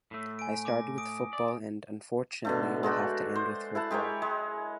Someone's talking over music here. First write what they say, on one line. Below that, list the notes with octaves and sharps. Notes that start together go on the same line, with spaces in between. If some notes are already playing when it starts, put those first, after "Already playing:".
I started with football and, unfortunately, will have to end with football.
A2 A3
G#5 D7
D6 A#6
D#6 D7
D5
B2 D3 A3
G#3 A3 F#4 D5
C5
E4 F#5 A5
G#3 G4 A#4 C#5
G#3